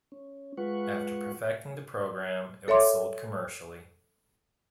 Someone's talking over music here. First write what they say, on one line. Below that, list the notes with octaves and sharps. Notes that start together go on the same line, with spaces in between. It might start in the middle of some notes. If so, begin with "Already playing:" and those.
After perfecting the program, it was sold commercially.
C#4
G#3 F4 B4 F#5 C#6
A4 C#5 E5 C6 D6